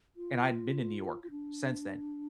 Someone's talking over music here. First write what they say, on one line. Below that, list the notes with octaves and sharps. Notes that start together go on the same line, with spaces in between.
and I hadn't been to New York since then,
F4
F4
D4